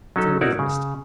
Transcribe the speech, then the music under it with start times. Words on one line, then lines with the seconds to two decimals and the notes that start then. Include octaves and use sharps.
That's always a mistake.
0.16 F#3 C#4 D#4 A4
0.41 D#4 E4 F#4 A#4 C#5 D5
0.59 C#3